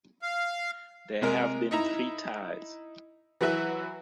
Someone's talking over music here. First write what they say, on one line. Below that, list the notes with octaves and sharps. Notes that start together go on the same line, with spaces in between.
There have been three ties.
F5
C3 G#3 A#4
D#4 E4 A#5
E3 F#3 B4 E5 F#6